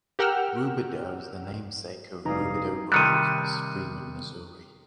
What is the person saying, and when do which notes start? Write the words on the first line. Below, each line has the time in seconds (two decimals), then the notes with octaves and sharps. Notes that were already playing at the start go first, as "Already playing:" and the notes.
Roubidoux is the namesake of Roubidoux Creek, a stream in Missouri.
0.19 G4 A#4 F#5 G5 E6 F6
2.25 F1 E3 G3 D#4 F5 A#5 D#6
2.92 C3 D#3 G3 F#6 C#7 D#7